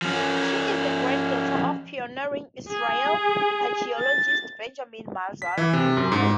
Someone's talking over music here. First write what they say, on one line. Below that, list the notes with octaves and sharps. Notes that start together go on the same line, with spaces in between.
She is the granddaughter of pioneering Israeli archaeologist Benjamin Mazar.
F3 C#4
G#4
A6
B6
E3
C3
F#2
G#2